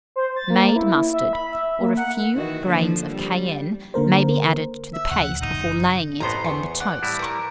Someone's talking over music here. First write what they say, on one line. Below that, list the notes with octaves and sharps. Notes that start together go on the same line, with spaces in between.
Made mustard, or a few grains of cayenne, may be added to the paste before laying it on the toast.
C5
A6
A#3
E4
E5
B5
E5
A#3
F#5
D#3 E3 F#4
D3 F3 A#3
G3
D3 A#3 A#4 C5
E5
D2 C#3 F3 F#5
F#1 D#4
A1 A2 B3 C5 A#5
E2 C#6
D5 F#5
A2 G3 E4
A#4 C#6